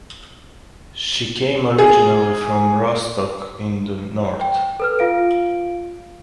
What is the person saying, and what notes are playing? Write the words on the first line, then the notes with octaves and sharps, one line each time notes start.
She came originally from Rostock in the north.
G#4
G5
A4 B4 F6
F4 F5 D7